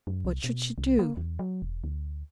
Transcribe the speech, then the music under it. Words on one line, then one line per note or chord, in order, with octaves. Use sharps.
What should she do?
F#2
C2
B2
C2
A#3
E2
F#3
E1
D2